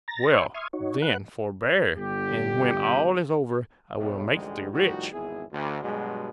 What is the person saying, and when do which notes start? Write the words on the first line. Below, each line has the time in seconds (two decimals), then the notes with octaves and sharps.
'Well, then, forbear; and when all is over, I will make thee rich.'
0.08 A#5 A6 A#6
0.32 C#5 E5 G5 G#5 C6 C#6
0.54 E5 C6 C#6 D#6 F6 G#6
0.73 D#4 F#4 C#5
1.02 B4 F#5 F#6
1.97 G1 D3 G4
3.98 B1 A2
4.32 A1 D2 G#2 G3 G#3
4.73 A2 D#3 F3 G3 D#4 F#4
5.13 G#1 E2 B3 E4 G#4
5.52 D2
5.82 G2 B2 F#3 G#3